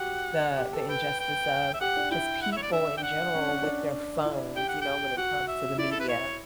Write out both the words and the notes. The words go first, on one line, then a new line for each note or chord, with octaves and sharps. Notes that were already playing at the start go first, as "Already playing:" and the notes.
the the injustice of just people in general with their phones, you know, when it comes to the media.
Already playing: F#4 G4 F#5
G4
A4
B4 G5
G5
E5
G4 F#5
D4
E4 G5
F#5
E5
C#5
D5
D4 E5
G5
F#5
C#4
D4
D4
E4
G4 G5
F#5
G5
F#4 F#5
E5
E4 D5
A4
B4
C#5